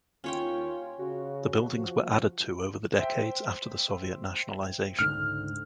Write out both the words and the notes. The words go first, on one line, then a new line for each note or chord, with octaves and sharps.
The buildings were added to over the decades after the Soviet nationalisation.
D#2 C#4 F4 C#5 G5
C#3 F#4
F3
C5 E5 G5
C#2 G#2 D3 F6